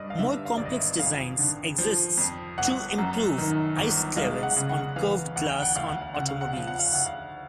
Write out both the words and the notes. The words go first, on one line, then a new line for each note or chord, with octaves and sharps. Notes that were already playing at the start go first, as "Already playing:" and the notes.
More complex designs exists to improve ice clearance on curved glass on automobiles.
Already playing: G2 D5 D#5
F5
D3 E5
F5
G#1 D5
D#5
E5
F2 F5
D3
F3
F2
G1 F#5
F#2
D#3
G1
G#3 F5
F#5
C#3
F#5
E3 F5
D2 F#5
G5
F#5
D2 F5
F#5
F5
C#3 F#5
F5
F#5
F3 F5
F#5
F5
D2 F#5
F5